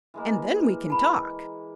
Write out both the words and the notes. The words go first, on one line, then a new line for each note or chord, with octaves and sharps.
And then we can talk.
E3 G#3 A#3
A5 B5